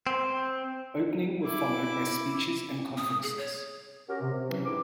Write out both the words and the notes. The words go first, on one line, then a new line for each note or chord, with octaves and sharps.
Opening were followed by speeches and conferences.
C4
E4 D6
D#6
G#4
C#5
C#4 F#4 G4 A#4
C3
C3
E3 F#3 C#4
G#2 D#3 D4 E4 D6